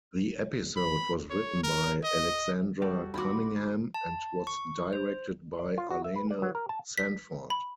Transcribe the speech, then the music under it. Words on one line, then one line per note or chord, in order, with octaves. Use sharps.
The episode was written by Alexandra Cunningham and was directed by Arlene Sanford.
B5
C#5
A#4
D#5
G3 F#4 A4 C#6
D#2 D#4 F#4 B5 C6 D6
A5
C#6
C5
D5
F4
F#4
E5
B4
D5
F#3
A#4
A5
B6
B5